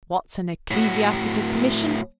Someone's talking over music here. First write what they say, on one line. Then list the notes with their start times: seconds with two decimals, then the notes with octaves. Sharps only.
What's an Ecclesiastical Commission?
0.71 A2 F#4